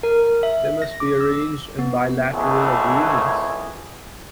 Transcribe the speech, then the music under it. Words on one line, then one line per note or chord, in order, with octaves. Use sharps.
They must instead be arranged in bilateral agreements.
A#4
E5
A#6
D6
E6
B3
G#1 C#2 E3 A3 G#4